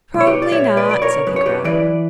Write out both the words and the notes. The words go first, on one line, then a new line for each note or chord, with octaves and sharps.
"Probably not," said the crab.
B1
C#5
G4 B4
D5
A#2 C#5 E5
B4 D5
B1 D5
A#4 C#5
F#2 B4
C#5
G4 B4
E3 B4 D5